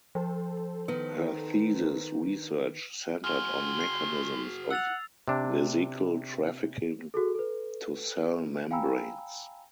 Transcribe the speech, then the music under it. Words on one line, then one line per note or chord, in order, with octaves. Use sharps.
Her thesis research centered on mechanisms of vesicle trafficking to cell membranes.
F3 A4 C5
D#3 B3 B4
F#4 G#4 C6 F6
C7
F#5 E6 A6 F7
C3 D4
F#4 G#4 A4
A4 B4
F5 G5 G#5 A#5 B5 E6